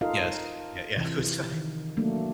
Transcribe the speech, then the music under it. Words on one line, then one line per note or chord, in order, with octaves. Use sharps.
Yes. Yeah, yeah. I'm sorry
D#4 F4 A4 A#4 D#5 F5
C3 E3
D#3
F#3 A3 A#3 D4